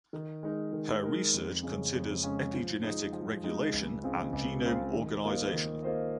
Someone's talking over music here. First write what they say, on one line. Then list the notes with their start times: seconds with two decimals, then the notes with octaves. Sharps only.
Her research considers epigenetic regulation and genome organisation.
0.13 D#3
0.43 G#3 D#4 A#4
0.73 D#3
1.03 G#3 D#4 A#4
1.33 F2
1.63 C#3 G#3 C#4
1.94 F2
2.23 C#3 G#3 C#4
2.53 F3
2.83 G#3 D#4
3.13 F3
3.44 G#3 D#4
3.73 C#2
4.02 C#3 G#3 C4 F4
4.33 C#2
4.64 C#3 G#3 C4 F4
4.94 D#3
5.23 A#3 F4 C5 D#5
5.53 D#3
5.83 A#3 F4 C5 D#5